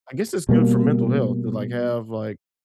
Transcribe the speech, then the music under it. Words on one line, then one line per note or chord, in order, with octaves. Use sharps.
I guess it's good for mental health to, like, have, like,
B2 G3 A#3